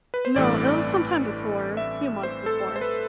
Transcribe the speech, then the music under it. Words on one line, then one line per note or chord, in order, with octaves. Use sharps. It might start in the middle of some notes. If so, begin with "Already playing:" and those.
No, it was some time before, a few months before.
B4
C5
A1 G2 E3 A3 C4 D5
E5
C5
A4
C5
B4